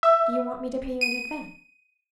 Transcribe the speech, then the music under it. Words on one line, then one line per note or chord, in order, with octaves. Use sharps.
Do you want me to pay you in advance?
E5
D#7